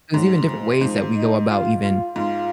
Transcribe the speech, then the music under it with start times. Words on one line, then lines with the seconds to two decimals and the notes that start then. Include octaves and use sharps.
There's even different ways that we go about even,
0.14 G#2 F#3
0.47 F3
0.80 G#2 F3
1.15 D#4
1.49 F4
1.82 F4
2.16 G#2 F4